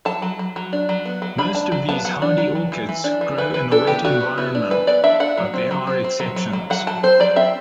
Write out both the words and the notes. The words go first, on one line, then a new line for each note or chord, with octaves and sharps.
Most of these hardy orchids grow in a wet environment, but there are exceptions.
F#3 A5
F#3
F#3
F#3
D4
F#3
B3
F#3
D4 B5
D4 A5
F#3
B3 A5
F#3 F#5
D4
F#3
F#3
E3
E3
D4
E3
E3 B4
E3 B4
D4 A4
B3 G4
D4 F#4
B3
B3 E4
D4
E3 B4
B3 D5
D4 E5
D4 F#5
F#3
C4
F#3
C4
C4
F#3
F#3
F#3
F#3 F#5
F#3 A5
C4 C5
F#3 D5
C4 E5